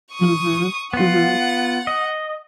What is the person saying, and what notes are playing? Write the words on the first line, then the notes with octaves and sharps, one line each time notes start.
Mhm. Mhm.
C#6 D#6
B3 F4 F#5
D#5